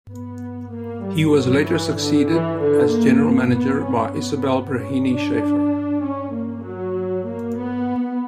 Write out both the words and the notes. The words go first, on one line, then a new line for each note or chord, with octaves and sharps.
He was later succeeded as General Manager by Isobel Breheny Schafer.
B3
A#3
G3
F#3
E3
D3
E3
D3
A#3
B3
C#4
B3
C#4
D4
C#4
A#3
F#3
A#3
B3